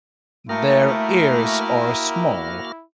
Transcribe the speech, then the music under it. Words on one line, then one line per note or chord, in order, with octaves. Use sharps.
Their ears are small.
A3 A#3 E4 F#4 A#4 G5 D#6 F6